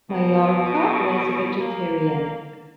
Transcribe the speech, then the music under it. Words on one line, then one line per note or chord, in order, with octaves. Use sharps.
Maiorca was a vegetarian.
B2
A#3